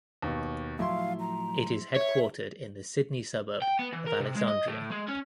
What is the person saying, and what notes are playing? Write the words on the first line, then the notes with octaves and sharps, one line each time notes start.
It is headquartered in the Sydney suburb of Alexandria.
D#2 B2
A2 F3 F#3 E4 F5 C6
A#5
C#5 E5
G5
B3
E3
A#4
C3
G#3
D#5
A2
G#3
C#4